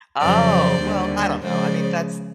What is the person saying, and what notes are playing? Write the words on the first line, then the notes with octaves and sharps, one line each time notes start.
Oh, well, I don't know. I mean, that's
F2 C#3 F#3 C5 D5
D#2 D3 G3
C#3 F3 G#3 C5 D5